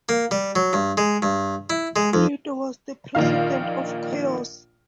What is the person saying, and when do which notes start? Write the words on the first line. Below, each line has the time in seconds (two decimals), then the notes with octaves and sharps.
Pulido was the president of Chaos!
0.09 A#3
0.31 G3
0.56 F#3
0.73 G2
0.97 G#3
1.22 G2
1.70 E4
1.96 G#3
2.13 F2
3.15 A#1 A#2 D#3 F5